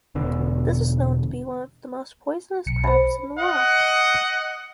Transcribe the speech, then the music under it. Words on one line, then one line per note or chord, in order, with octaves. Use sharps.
This is known to be one of the most poisonous crabs in the world.
E1 B2 D3
B1 C#7
C5 B5
D#5 F#5